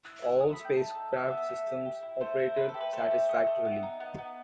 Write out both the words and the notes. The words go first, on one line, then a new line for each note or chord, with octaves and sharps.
All spacecraft systems operated satisfactorily.
E4 F#6
E4 F#6
A3 D#6
B5
A3
G5
D#4 A5
A4
A4 E5
B3
A3
G4
G4
E4
A3 C5
E4
A3 B4
A4
G4
B4
A3 C5
G4
A3 D#5
A3
B3
D#4
B3
B3